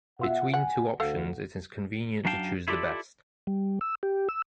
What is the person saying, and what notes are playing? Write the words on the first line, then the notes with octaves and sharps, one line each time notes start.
Between two options it is convenient to choose the best.
B2 F4 E5 F#5
F#5 G#5
D2 A4 F5 F#5
F#2 F#3 D4 F5 G5 A5
E4 F4 G4 A4 D5
G3
E6
G4
E6